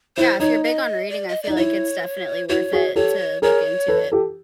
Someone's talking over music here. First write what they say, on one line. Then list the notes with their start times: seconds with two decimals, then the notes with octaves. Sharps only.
Yeah, if you're big on reading, I feel, like, it's definitely worth it to look into it.
0.17 E4 C5
0.40 D#4 C#5
0.64 D#5
1.10 D5
1.28 D#5
1.43 D#4 D5
1.56 E4 C#5
2.49 E4 F#4 C#5
2.73 F#4 G#4
2.96 G4 A4 C#5
3.42 G#4 A#4 C#5
3.88 A4 B4
4.12 G4 A4